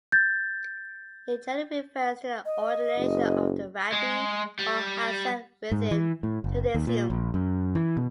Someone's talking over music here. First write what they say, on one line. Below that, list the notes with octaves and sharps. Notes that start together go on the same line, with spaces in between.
It generally refers to the ordination of a rabbi or hazzan within Judaism.
G6 A6
D#5
F#1
G#3
G3
G#2
E3
A2
F#1
D#2
A#2
A#1
F#2
E3
B2